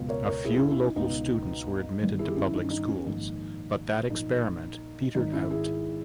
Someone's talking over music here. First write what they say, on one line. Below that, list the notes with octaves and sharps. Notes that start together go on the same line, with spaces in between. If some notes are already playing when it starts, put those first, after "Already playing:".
A few local students were admitted to public schools, but that experiment petered out.
Already playing: C#2 B2
A#4 C#5
A#4 C#5
E4 G#4
C#4 E4
C#4 E4
D#4
C#2 B2 D#4
G1 G2 D#3
E4 G#4
G4
C#4 E4
D#4
C#4
D#4
C#4
A#1 G#2 D#3 D#4
A#1 A#2 D#4
G#1 G#2 D#3 D#4
C#4 E4
E4 G#4